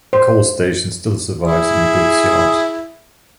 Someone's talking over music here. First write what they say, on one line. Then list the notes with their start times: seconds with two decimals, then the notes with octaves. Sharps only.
A coal station still survives in the goods yard.
0.13 C5
1.43 E4 G#4